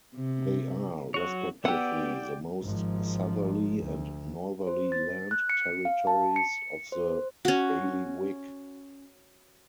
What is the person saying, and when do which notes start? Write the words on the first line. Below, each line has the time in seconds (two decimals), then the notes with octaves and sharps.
They are respectively the most southerly and northerly land territories of the Bailiwick.
0.15 C3
1.14 F#3 F#4 C#5
1.65 B3 G4 D5 F#5 G5 E6
2.63 G#1 F3
3.83 D2
4.67 C5
4.92 A6
5.31 F#6
5.49 C#7
5.85 F5
6.07 A5
6.36 C#7
6.92 C5
7.45 C#4 F#4